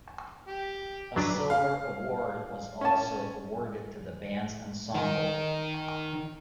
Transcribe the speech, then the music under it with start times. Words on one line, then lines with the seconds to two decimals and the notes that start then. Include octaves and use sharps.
A silver award was also awarded to the band's ensemble.
0.48 G4
1.16 F#3 D4 B4 A#5
1.50 F5
2.81 C#4 A5
4.95 D#3 D#4